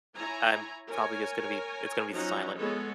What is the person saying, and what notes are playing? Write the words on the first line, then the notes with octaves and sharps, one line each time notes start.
I'm probably just gonna be, it's gonna be silent.
E4 C#5 G#5 A#5
A#4 C#5 G#5
F3 F#3 C#4 D#4 F#4 A#5
G#3 B3 A4 C#5